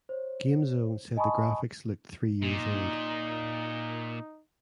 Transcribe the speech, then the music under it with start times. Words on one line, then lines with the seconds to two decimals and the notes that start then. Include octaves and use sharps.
Gamezone said the graphics looked three years old.
0.09 C5 C#5
1.17 D#5 G#5 A5 B5 C#6 D#6
2.42 A#2 D#4